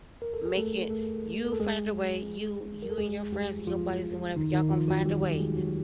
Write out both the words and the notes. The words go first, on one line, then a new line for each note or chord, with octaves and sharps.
make it you find a way. You you and your friends and your buddies and whatever, y'all gonna find a way
A#4
A4
G#4
A3 A4
A3 A4
A#4
A4
G#3 G#4
A#4
A4
G#3 G#4
G3 G4
F3 F4
D#3 D#4
D#3 D#4
F3 F4
F#3 F#4
G3 G4
G3 G4
G#3 G#4
F#3 F#4